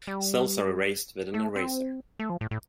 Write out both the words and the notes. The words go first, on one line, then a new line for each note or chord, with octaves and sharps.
Cells are erased with an eraser.
G3
A3
C4
A3
F3
A2
A2